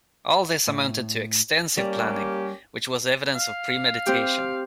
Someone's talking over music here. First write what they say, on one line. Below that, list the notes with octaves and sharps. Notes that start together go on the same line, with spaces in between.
All this amounted to extensive planning, which was evidence of premeditation.
A2
G3 A#3 C#4 G4
F5
C4 G4